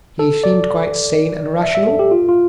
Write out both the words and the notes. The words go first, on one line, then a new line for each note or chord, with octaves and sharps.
"He seemed quite sane and rational?"
A4
D5
E5
E5
A4
G4
F4
F4